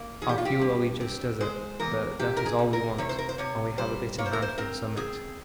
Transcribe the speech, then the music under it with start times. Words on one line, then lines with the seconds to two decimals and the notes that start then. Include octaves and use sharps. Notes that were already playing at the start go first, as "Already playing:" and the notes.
Our fuel only just does it, but that is all we want, and we have a bit in hand for the summit.
Already playing: A#3
0.22 E2 G#4
0.29 G4
0.38 F4
0.45 G4
0.61 G2
1.00 C4
1.41 G#3 C5
1.80 E2 A#4
2.19 C3 G4
2.37 A#4
2.46 G#4
2.59 C3
2.73 A#4
2.98 C3 C#5
3.09 C5
3.18 A#4
3.29 C5
3.38 C3 C#5
3.78 G3 C5
4.18 A#3 C#5
4.26 C5
4.33 A#4
4.42 C5
4.58 C4 A#4
4.97 C4 G#4